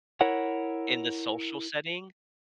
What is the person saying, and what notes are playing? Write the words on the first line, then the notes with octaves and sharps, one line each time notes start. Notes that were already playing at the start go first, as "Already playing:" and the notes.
in the social setting?
E4 A#4 C#5 F#5